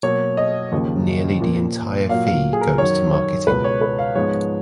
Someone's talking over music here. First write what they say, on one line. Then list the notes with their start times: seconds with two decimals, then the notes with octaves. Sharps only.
Nearly the entire fee goes to marketing.
0.03 B2 F#3 A#3 C#5
0.37 D#5
0.72 D#2 C#3 F3 A#3
1.40 A#2 F3 A#3
2.09 A#2 F#3 A#3 F5
2.26 F5
2.53 G#4
2.61 A#4
2.78 F#2 D#3 F#3 C#5
3.13 C#5
3.47 C#2 B2 G#3 B4
3.64 C#5
3.81 B4
3.99 F5
4.15 G#2 F3 G#3 B3 C#5